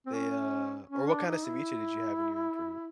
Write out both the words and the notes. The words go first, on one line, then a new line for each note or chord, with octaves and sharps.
They, uh or what kinda ceviche did you have when you were in Peru?
C4
C#4
C#4
D4
D#4
E4